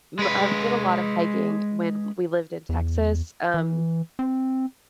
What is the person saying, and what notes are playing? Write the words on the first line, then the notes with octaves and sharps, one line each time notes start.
m I did a lot of hiking when we lived in Texas, um,
G#3 B4
E2
E3
C4